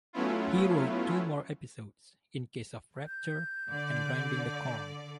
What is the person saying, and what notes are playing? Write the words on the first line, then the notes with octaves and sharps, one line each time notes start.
He wrote two more episodes - "In Case of Rapture" and "Grinding the Corn".
F#3 A3 B3 C#4 E4 F4
G6
D3 D5